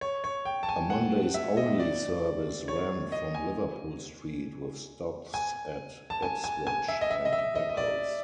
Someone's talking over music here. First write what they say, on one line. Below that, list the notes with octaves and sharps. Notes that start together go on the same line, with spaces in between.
A Mondays only service ran from Liverpool Street with stops at Ipswich, and Beccles.
C#5
C#5
G5
A5
G#5
F#5
E5
D#5
D5
C#5
D#5
G#5
G#5
A5
G#5
G#5
G#5
E5
D#5
E5
D#5
E5
D#5
D#5
D5